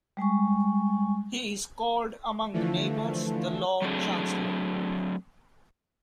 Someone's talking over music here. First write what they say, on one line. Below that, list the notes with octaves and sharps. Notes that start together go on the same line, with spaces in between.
He is called among the neighbours the Lord Chancellor.
G3 G#3 G#5 C#6
D3 E3 F3 A3
F#3 A3 C4 D4 F#4 G#4